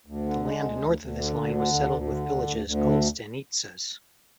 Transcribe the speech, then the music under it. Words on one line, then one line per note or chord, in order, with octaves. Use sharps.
The land north of this line was settled with villages called stanitsas.
D2
D3
G#3
D2
D2
D2
D3
D2
D3
D2
D2
D3
D2
D2
D2
D3